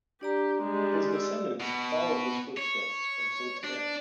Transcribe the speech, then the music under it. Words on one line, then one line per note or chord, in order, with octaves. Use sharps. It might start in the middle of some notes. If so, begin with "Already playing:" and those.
His descendants follow his footsteps until today.
D4 G4 D5 A#5
G3 G#3
D5 E6
B2
C#5
D4